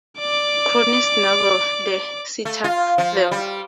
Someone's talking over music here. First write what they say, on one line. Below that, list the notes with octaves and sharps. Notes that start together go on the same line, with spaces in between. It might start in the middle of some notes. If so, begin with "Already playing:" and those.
Cronin's novel, "The Citadel".
D5 D6
A3
F4
F3
G3